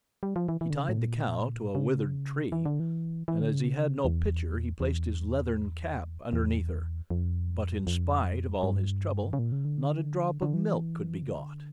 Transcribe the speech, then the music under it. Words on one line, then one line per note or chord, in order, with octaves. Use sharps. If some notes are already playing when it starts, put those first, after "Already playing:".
He tied the cow to a withered tree, and as he had no pitcher he placed his leathern cap underneath her; but in spite of all his trouble not a drop of milk could be got.
G3
F3
E3
E3
D3
C#3
A2
A#2
C#3
E3
D3
E3
E3
D3
C#3
E2
E2
E2
F2
F2
G2
C#3
A#2
C#3
D3
D3
E3
C#3
D3